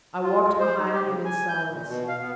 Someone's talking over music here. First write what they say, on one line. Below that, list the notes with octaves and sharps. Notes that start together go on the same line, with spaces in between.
I walked behind him in silence.
F4
G#3
C5
D#4
G4
C#3
G#5
G6
A#2
B2
F5
B3